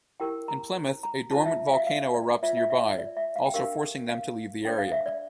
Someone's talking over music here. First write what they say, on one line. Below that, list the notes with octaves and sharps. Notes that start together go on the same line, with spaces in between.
In Plymouth, a dormant volcano erupts nearby, also forcing them to leave the area.
E4 G4 A#4 G5
A#5
A#5
F4 C5 A5
E5
F5
E5
F5
D5
F4 C5 E5
E5
E5
D5
E5
F5
G5
D4 G4 A#4 F5
F5
D4 A4 C5 G5
F5
E5
D5